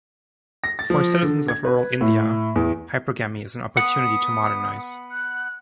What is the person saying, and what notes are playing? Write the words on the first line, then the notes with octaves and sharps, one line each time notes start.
For citizens of rural India, hypergamy is an opportunity to modernize.
A#6
A6
F3
D3
G#6
B4
A2
E2
B3 F#5 D#6
F#6